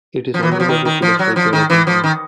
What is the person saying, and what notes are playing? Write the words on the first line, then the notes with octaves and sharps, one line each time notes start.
It is unrelated to the Czech Aero company.
F3
E3
F#3
F3
D#3
D#3
F3
F#3
F3
D#3
E3
F3
D#3